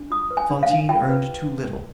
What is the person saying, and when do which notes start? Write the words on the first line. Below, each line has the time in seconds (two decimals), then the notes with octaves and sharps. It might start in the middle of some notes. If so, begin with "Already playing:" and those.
Fantine earned too little.
Already playing: D4
0.10 F4 D#6
0.31 B4
0.37 G#5
0.50 D4
0.63 F5
0.69 D4
0.89 F4 G5
1.09 B4